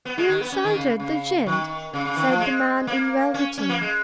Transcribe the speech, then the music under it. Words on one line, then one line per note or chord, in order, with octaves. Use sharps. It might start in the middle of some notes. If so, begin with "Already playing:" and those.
"You insulted the gent," said the man in velveteen.
B3
G#3
D#3
B3
C#4
D#3
C#3
C#3
D#3
C#3
C#3
D#3
F3
G#3
A#3
C#4
C#4
A#3
G#3